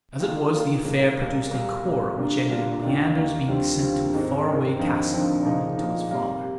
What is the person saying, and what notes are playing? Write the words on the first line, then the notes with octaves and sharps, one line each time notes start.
As it was, the affair produced a quarrel, which ended in Leander's being sent to a far-away castle belonging to his father.
D#3 A#3 F4 G#4
D#3 A#3 F4 G#4
C2 A#2 G#3
C2 A#2 G#3
C2 A#2 G3
C2 A#2 G3
D3 G3 A#3 D4 F4
D3 G3 A#3 D4 F4
D#2 D#3 A#3 D4
D#2 D#3 A#3 D4
D#2 D3 G3 C4 F4
D#2 D3 G3 C4 F4
G#2 D#3 G#3 C4 D#4
G#2 D#3 G#3 C4 D#4
D#2 D3 F3 C4 D#4
D#2 D3 F3 C4 D#4
A#2 F3 G#3 D#4
A#2 F3 G#3 D#4
C3 G3 A#3
C3